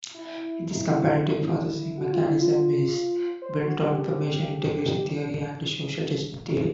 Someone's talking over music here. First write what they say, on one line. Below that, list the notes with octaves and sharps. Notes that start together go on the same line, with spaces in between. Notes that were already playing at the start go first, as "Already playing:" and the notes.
This comparative processing mechanism is built on "information-integration theory" and "social judgement theory".
E4
D#4
E4
F#4
F4
E4
F4
C5
F#4
G4